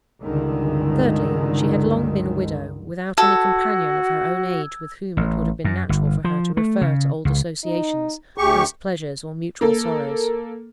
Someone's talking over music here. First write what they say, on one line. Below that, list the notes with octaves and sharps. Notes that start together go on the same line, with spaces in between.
Thirdly, she had long been a widow, without any companion of her own age with whom it would have been natural for her to refer to old associations, past pleasures, or mutual sorrows.
C#2 G2 D3 D#3 G#3
F#4 A4 E6 G#6
A1
F#2
G1
F3
A3
C#3
C#2
D#4
D2 G4 G#4 C#6
A#3 A4